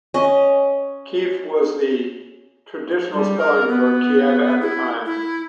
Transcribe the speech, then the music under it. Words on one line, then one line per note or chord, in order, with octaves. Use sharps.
Kief was the traditional spelling for Kiev at the time.
C#4 D#5
G3
A#4
B3
E4
E4